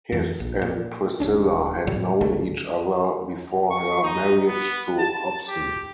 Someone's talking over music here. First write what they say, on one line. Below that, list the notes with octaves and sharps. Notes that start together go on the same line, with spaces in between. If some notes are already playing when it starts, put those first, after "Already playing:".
Hiss and Priscilla had known each other before her marriage to Hobson.
F2 E3 F#3
A#1
A#2
D#1 G#1 C#4 D4
A2 C3 F#3 G3
G#1 C#2 D3 A3
C#6
D#4
B3
A5
G4